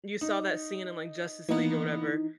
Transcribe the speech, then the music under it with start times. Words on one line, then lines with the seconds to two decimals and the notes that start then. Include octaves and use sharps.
you saw that scene in, like, Justice League or whatever,
0.21 D#4
1.49 E3 A#3 B3 D#4